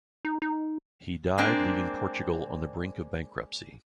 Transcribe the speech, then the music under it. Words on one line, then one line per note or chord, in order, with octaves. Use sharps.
He died leaving Portugal on the brink of bankruptcy.
D#4
D#4
G#3 A#3 C4 D4